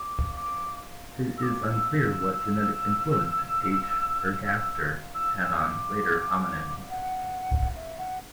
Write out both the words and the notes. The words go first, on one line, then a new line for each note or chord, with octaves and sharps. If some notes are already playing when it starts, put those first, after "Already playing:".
It is unclear what genetic influence "H. ergaster" had on later hominins.
Already playing: D6
D6
E6
D6
E6
E6
D6
F#5
E5
F#5